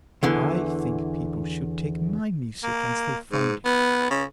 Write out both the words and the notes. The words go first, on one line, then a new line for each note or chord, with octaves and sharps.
I think people should take my music as they find it.
E2 D3 E3
A#3
G#2
B3
C#3